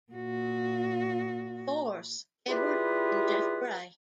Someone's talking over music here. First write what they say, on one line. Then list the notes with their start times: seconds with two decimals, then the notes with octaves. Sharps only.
Force, Edward and Jeff Bray.
0.12 A#2 F#4
2.49 G3 E4 F4 G4 G#4 B4